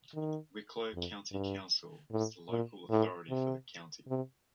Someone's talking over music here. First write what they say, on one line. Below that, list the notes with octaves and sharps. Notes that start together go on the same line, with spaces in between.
Wicklow County Council is the local authority for the county.
D#3
F2
G2
A2
A#2
A2
C3
C3